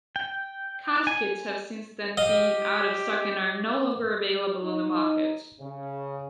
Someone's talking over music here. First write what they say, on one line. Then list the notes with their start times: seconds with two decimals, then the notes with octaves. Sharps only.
Caskets have since then been out of stock and are no longer available on the market.
0.16 G5
1.07 G#5
2.17 G4 D#5 F5
4.63 D#4
5.59 C#3